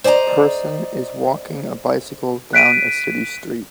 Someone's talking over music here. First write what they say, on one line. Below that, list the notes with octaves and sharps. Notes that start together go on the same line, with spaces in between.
A person is walking a bicycle down a city street.
C5 D5 D#5 G#5 A#5
F#6 B6 D7 D#7